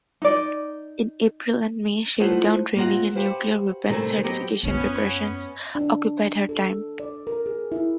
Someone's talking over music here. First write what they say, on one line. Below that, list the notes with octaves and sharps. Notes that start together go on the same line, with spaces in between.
In April and May shakedown training and nuclear weapons certification preparations occupied her time.
D#4 D5
F3 A3 D#4 E4 C5 F#5
A#3 C4 F4 D#5 F#5
F#4 G4 B4 C5 F5
C3 D#3 G3 A3 C5 G#5
F#3 B3 G4 C5 D#5
F#2 B3 C#4 F4
D4
A4
D5
A#4
G#4
E4